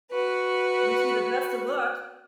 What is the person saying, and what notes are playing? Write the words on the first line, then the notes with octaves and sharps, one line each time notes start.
wish you the best of luck.
F#4 B4